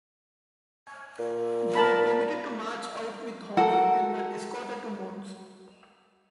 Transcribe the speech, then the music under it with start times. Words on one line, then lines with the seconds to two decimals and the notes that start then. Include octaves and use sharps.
They were permitted to march out with honour and were escorted to Mons.
1.19 A#2
1.75 A#4 A5 B5
3.57 F#4 A4 A#4 F#5